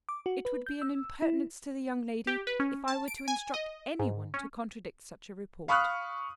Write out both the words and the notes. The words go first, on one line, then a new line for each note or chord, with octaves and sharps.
It would be an impertinence to the young lady if I were to instruct any one to contradict such a report.
D6
F#4
B4
G6
E6
E4
G4
B4
C#4
A5
D7
G#5
D#5
G#2
C#4
F5 B5 C#6 D#6 F6 F#6